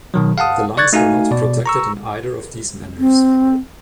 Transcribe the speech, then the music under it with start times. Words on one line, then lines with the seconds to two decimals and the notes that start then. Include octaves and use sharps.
The lungs are not protected in either of these manners.
0.14 B2 D#3 F#3
0.38 F5 F#5 A5 D#6
0.77 D5 C#6 F#6 G#6 A6
0.93 A3 D#4 F#4 F5 G#5
1.31 B2 D5
1.66 A#5 C#6 E6
2.99 C4